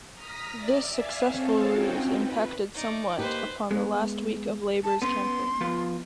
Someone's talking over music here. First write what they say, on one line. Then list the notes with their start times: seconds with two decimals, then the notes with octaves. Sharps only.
This successful ruse impacted somewhat upon the last week of Labor's campaign.
0.13 A#5 D#6 F6 A#6 B6
0.54 D5 E5 A6
0.91 D5 E5 F5 G#5
1.24 C4 A4 C5 C#5 F5 A5
1.64 C4 C#4 D#4 F4 F#4 G5
2.10 B4
2.74 D#4 D5
3.19 A#3 D#4 G4 B4 C5
3.71 G#3 B3
4.84 A5
5.02 B3 C#4 C6
5.61 F3 B3 F4